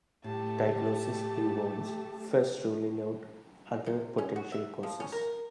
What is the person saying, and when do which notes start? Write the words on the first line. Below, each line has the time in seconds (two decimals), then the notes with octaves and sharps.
Diagnosis involves first ruling out other potential causes.
0.24 A2 A3 G4 A5
3.86 C3
4.18 C#4
4.36 F#4
4.52 E5
4.83 F3
5.00 C#4
5.12 A#4